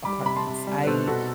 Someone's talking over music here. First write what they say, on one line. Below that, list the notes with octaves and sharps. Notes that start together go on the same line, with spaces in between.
apartments. I
G3 B5 D6
C3 B5
A5 C6
C3
G3
B4
B2 A4 C5
B2 F#4 A4